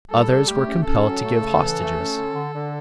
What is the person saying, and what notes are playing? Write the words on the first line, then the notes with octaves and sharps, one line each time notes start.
Others were compelled to give hostages.
G3 A4
G3
A3 G4
C#4
C#4 A4
F#3
A3
C#3
E3
A3
C#4
D3
D3
D3